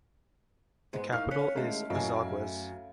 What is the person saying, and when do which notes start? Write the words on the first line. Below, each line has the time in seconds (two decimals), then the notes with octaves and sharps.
The capital is Azogues.
0.93 G#2 G#3 B3
1.12 D#4 E4 F5 F6
1.31 C#4 F#6 B6 C#7
1.56 D#3 G#3 A3 C#4 D#5
1.90 F#2 A3 E4 D#5 F5 G#5
2.16 F5